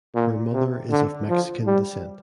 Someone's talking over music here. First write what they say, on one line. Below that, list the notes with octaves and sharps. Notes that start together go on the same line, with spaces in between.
Her mother is of Mexican descent.
A#2
C3
D3
F3
G3